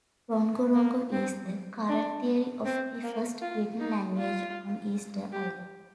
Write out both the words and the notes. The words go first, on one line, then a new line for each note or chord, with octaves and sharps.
Rongorongo is the current theory of the first written language on Easter Island.
A#3
C4
D4
C4
A#3
F4
D#4
F4
G4